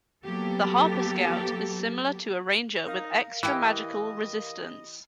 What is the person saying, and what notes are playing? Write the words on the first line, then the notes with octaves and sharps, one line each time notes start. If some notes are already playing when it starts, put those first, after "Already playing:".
The Harper Scout is similar to a Ranger with extra magical resistance.
F#3 A#3 B3 G4 A4
D#4 A#4 F5 A#6
E3 E4 G4 D#5